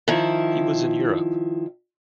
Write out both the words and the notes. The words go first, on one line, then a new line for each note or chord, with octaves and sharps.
He was in Europe.
D#3 F3 E4